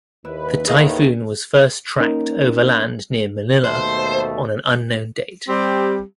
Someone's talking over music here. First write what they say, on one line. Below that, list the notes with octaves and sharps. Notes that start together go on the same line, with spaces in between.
The typhoon was first tracked overland near Manila on an unknown date.
D#2 E4 B4
A2 D#3 G#4 D#5 F5
A#3 C#4 D#4 A#4
D#2 B2 A3 C5
G3 C4 G4